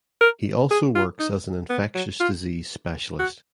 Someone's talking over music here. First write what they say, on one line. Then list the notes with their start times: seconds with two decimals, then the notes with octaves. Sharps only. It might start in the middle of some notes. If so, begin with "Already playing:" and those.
He also works as an infectious disease specialist.
0.21 A#4
0.71 G#4
0.95 F4
1.19 D#4
1.69 B3
1.95 F#3
2.20 F4
3.19 F#4